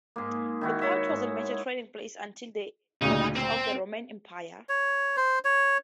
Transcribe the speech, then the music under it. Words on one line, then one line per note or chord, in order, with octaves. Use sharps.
The port was a major trading place until the collapse of the Roman Empire.
G#2 A#3
D#3 E4 F#4
C#5 E5
G#2
D2 A#2 C#3 D#4
C4 C5
C#5
C5
C#5